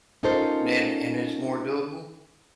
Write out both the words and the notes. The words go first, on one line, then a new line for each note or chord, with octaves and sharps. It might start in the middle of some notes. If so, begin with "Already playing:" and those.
then and it's more doable,
C#4 D#4 F4 A4 A#4 C5